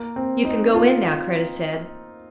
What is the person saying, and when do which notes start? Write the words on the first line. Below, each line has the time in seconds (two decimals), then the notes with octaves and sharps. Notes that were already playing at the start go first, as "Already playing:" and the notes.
"You can go in now," Kreta said.
Already playing: A#3
0.16 C4
0.45 D#4
0.74 F4